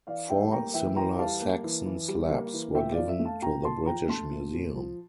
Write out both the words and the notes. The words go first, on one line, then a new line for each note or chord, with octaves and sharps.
Four similar Saxon slabs were given to the British Museum.
E3 D5 F5
G3 E5 G5
A#3 G5 A#5
E3 E5 G5
E3 G5 A#5
G3 F5 A5
A#3
E3
E3
G3
A#3
E3
A#2 E5 G5
D5 F5
F3
E5
A3
F5 A5
A#2 G5 A#5
A#2 A5 C6
F3 G5 A#5
A3 A5 C6
A#2
A#2
F3